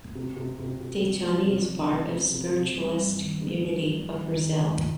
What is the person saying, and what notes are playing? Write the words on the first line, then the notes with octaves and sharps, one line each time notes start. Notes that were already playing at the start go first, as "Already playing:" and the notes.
De Toni is part of spiritualist community of Brazil.
C3
C3
C3
C3
G3
G3
C3
F3
C3
F3
C3
C3
G3
G2
D#3
G2
G3
G3
D#3
D#3
D#3
D#3